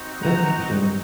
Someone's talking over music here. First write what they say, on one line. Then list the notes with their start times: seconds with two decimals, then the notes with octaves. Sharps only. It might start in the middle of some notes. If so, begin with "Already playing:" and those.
That's interesting.
Already playing: C4 D#4 F#4
0.20 F#5 A#5